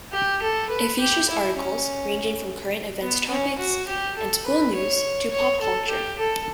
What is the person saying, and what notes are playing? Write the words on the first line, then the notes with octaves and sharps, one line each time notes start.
It features articles ranging from current events topics and school news to pop culture.
G4
A4
B4
G4
E4
C#4
B3
C#4
F#4
G4
A4
B4
C#5
C#5
A4
G4
A4